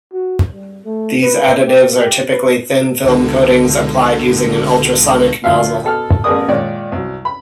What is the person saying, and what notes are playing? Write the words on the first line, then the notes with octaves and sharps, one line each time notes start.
These additives are typically thin film coatings applied using an ultrasonic nozzle.
F#4
G3
A3
B4
G4
G4
B4
C#2 B2 D3
D2 F3 E5 F5
B2 A4 F6
A1 B3 G#4 A#4 D5 D#6
A#2 D#3 G#3 C#5 D5
C2 F#3
B5